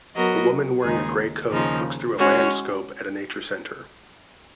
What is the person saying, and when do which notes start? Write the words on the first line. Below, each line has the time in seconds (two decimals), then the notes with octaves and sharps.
A woman wearing a gray coat looks through a Landscope at a nature center.
0.16 F#3 B3 F#4 A#4 D#5
0.83 D#2 C#3 G#3 D#4 G#4
1.51 D#2 C#3 F3 G#3 D#4
2.18 G#3 C#4 F#4 C#5